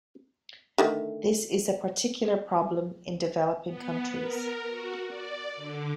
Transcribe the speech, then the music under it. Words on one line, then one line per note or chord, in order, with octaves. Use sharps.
This is a particular problem in developing countries.
D3 D#3 A3
B3
A#4
F#4
D5
D3